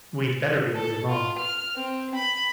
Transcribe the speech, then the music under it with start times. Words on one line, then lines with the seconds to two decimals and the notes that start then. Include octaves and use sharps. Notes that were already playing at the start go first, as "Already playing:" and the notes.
We'd better be moving on.
0.75 A4
1.09 F4
1.39 F6
1.76 C4
2.15 B5